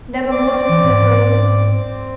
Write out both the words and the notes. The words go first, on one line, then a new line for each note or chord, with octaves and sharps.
"Never more to be separated?"
C4 D5 D6
E3
G#2
C4